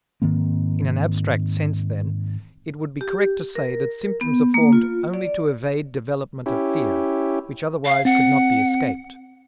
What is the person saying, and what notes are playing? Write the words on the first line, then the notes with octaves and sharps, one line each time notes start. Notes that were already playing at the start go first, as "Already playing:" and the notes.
In an abstract sense, then, it would be correct to say that symptoms are formed only to evade development of fear, which otherwise could not be escaped.
G#2 D#3 A#3 C4
G4
A#4
B3
A#3
F4
D5
C#4 E4 G4
F5
C4 F#5